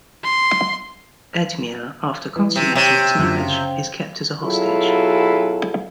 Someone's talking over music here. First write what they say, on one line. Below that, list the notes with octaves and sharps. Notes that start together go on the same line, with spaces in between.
Edmure, after consummating his marriage, is kept as a hostage.
C6
E3
C3
C3 G4 C#5
F#2 D3 F3
C#3
B2 F#3 E4 F4 G#4 A4